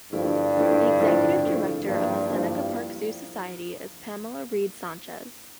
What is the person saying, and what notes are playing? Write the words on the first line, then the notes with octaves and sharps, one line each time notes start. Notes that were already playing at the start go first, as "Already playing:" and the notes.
The executive director of the Seneca Park Zoo Society is Pamela Reed Sanchez.
G2 D3 F3 A3 E4
D3 F3 A3 E4
D3 F3 A3 E4
D3 F3 A3 E4
G2 F3 A#3 E4
G2 F3 A#3 E4